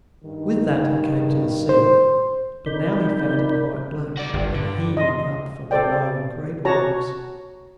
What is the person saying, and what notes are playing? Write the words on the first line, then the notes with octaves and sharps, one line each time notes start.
With that he came to the sea, but now he found it quite black, and heaving up from below in great waves.
G2 D#3
C5
C3 D#4 A#4 D5 B5 G6
F#4 D5
G1 G2
D3
D#5 C6
A4 C5 D5 G5
F#4 C#5 A5 A#5